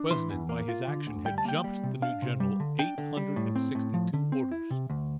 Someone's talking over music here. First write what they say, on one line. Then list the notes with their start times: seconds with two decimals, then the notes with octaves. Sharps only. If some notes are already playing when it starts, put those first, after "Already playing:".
The President, by his action, had "jumped" the new General eight hundred and sixty-two orders.
Already playing: D4
0.11 E3 C6
0.30 E2
0.49 A#3
0.68 F4
0.87 D3
1.07 D2
1.25 G3 G5
1.38 A5
1.45 A#3 G5
1.64 G3
1.84 C3
2.02 D4 F5
2.22 C3
2.40 G3
2.60 D3
2.79 D4 G5
2.98 D3
3.17 G3
3.36 A2
3.56 C4
3.75 A2
3.94 F3
4.13 D3
4.32 C4
4.51 E4
4.70 C3
4.90 D2